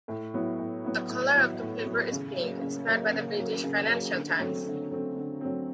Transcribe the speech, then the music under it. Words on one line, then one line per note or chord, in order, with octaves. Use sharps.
The color of the paper is pink, inspired by the British "Financial Times".
A2
F#3 B3 E4
A2
F#3 B3 E4
A2
F#3 B3 E4
A2
F#3 B3 E4
C#3
F#3 A#3
C#3
F#3 A#3
C#3
F#3 A#3
C#3
F#3 A#3
D3
F#3 A3 C4
D3
F#3 A3 C4
D3
F#3 A3 C4